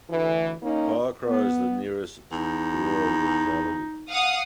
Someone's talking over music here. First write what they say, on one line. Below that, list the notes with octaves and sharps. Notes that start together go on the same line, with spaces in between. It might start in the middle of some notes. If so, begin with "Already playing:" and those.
Pokrov is the nearest rural locality.
D2 E3
A#3 C#4 D#4
B3
E2 D#4
F5 F#5 D#6